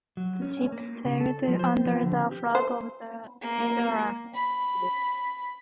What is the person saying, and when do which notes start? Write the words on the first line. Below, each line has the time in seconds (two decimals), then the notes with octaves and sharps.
The ship sailed under the flag of the Netherlands.
0.17 F#3
0.42 C#4
0.72 A#3
1.05 C#3
1.20 A4
1.47 F3
1.59 C5
1.85 F3
2.03 D3
2.31 G4
2.55 C5
3.42 A#3
4.34 B5